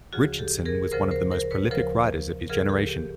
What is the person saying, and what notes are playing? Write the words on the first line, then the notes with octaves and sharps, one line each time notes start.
Richardson was one of the most prolific writers of his generation.
D2 C#3 F3 F#4 G#4
G4 A4
G#4 A#4
D2 C#3 F3 A#4 C5
A#4 C5
A#4 C5
B4 C#5
D2 C#3 F3 A#4 C5
D2 C#3 F3 G#4 A#4
G4 A4
G4